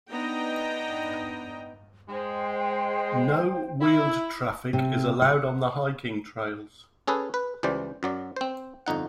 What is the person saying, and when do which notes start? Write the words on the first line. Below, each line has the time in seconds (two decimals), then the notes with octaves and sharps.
No wheeled traffic is allowed on the hiking trails.
0.11 B3 D4 D#4 D#5 G5 A#5
2.09 G#3 C5 G5
3.81 E4
4.73 C3
5.22 F#5
7.07 C#4 G#4 A4 B4
7.34 B4
7.63 C#2 E3 G3 C5 D5
8.03 F#2 F#3 D5
8.36 C4 C5
8.86 G1 F2 D#4 F#5